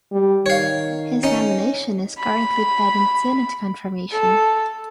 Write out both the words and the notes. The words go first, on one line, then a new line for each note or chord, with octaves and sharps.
His nomination is currently pending Senate confirmation.
G3
D#3 C#5 F5
C#4 D#4
B5
A4